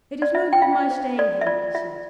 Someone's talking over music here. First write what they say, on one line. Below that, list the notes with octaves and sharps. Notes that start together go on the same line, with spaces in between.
"It is no good my staying here," he said.
D5
F4 E5
G5
F4 F5
C5
A4 D5
E5
F4 D5
F4 E5